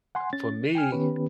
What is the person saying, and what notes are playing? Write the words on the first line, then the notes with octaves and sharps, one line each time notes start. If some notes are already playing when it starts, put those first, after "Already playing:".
for me
F#5 G#5 C6
C#4 A6
G5 G#5 F6
D#3 B3 C#4 G4 B4